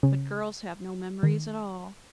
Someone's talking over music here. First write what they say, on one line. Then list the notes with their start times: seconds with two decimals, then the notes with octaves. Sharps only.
But girls have no memories at all!
0.03 C#3
1.23 D#3